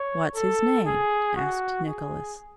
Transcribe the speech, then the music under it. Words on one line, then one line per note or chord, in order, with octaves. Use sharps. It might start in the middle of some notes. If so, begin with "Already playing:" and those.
"What's his name?" asked Nicolas.
Already playing: C#5
A4
G#4
F#4
G#4